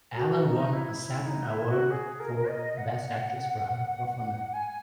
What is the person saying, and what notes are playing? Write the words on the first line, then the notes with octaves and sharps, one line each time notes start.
Allen won a Saturn Award for Best Actress for her performance.
F#4
D#4
E4
E4
D#4
E4
F#4
G#4
A#4
D#5
F#5
G#5